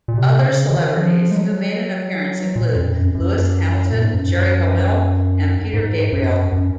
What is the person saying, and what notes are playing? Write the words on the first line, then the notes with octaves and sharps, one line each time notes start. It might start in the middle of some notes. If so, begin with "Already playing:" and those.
Other celebrities who made an appearance include Lewis Hamilton, Geri Halliwell and Peter Gabriel.
A#2
C3
C#3
D#3
F3
G#3
F#3
A#2
F2
F#2
F#2
A#2
G#2
F#2
G#2
F#2
F#2